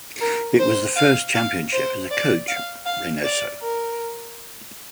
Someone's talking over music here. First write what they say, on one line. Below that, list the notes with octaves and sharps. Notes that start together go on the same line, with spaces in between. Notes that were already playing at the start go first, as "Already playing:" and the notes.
It was the first championship as a coach Reinoso.
A#4
C5
F5
F5
C5
D5
F5
F5
D5
A#4